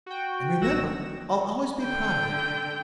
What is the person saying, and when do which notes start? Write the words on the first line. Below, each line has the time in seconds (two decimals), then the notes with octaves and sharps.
And remember, I'll always be proud of it.
0.06 F#4 G5
0.61 A1 F#4 E6 A#6 E7
1.83 D3 G5